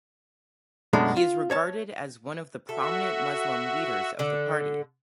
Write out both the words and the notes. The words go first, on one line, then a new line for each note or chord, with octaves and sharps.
He is regarded as one of the prominent Muslim leaders of the party.
F#2 B2 G#3 A3 D4
F4
C#5 A5
F#4 A4 E5
D3 A4